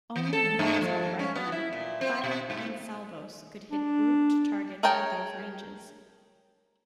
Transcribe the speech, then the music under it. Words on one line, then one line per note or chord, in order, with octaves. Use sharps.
Only units of riflemen firing in salvos could hit grouped targets at those ranges.
E3
A4
G2
F3
A#3
C#4
B3
E4
A#2
C4
B2
G#2
D4
G#4 A#4 C#5 G5 A5